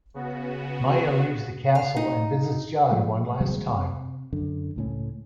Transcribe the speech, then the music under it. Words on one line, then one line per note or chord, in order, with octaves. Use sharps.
Maya leaves the castle and visits Jai one last time.
C#3 B3 F#4
F5
D#4
A#2 F3 G#3 A3
D#1 F#3 G#3 C4
C3
F#2 D3
C#2 A2 C#4